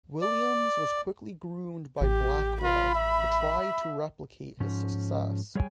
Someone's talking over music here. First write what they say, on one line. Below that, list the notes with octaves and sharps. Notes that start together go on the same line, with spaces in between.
Williams was quickly groomed by Blackwell to try to replicate his success.
D5
A1 G4
F4 B5
E5
G#2 F3 C#4
G3 G#4 C#5 E5 G5 G#5